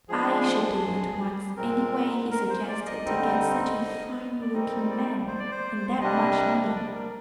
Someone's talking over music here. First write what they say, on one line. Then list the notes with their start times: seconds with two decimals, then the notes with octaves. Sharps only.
I should do at once any way he suggested to get such a fine-looking man and that much money.
0.08 F3 G#3 D4 G#4
1.57 A#2 G#3 C4 A#4
2.31 A#4
2.50 C5
2.68 D5
2.86 D#5
3.05 D3 G3 C4 D#4
4.41 D5
4.53 D#3 G3 C4 D#4 D#5
4.90 D5
5.28 C5
5.39 D5
5.51 C5
6.01 C3 G3 D4 D#5
6.76 D5
6.94 A#4